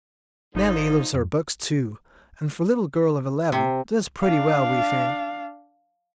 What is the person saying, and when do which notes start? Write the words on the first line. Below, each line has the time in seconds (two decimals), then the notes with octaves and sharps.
Nellie loves her books, too; and, for a little girl of eleven, does pretty well, we think.
0.55 G#1 D3 F3 D#4
1.14 F2
3.52 C3
4.22 D4 F5